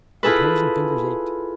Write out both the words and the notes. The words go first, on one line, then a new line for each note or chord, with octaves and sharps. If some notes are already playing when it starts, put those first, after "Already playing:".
Our toes and fingers ached.
E4 F4 G#4 A4 B4